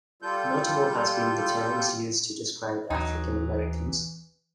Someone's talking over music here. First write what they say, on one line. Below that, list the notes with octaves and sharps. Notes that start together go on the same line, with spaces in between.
Notable has been the terms used to describe African-Americans.
G3 F4 A4 G6
D#2 E3 F#3 D#4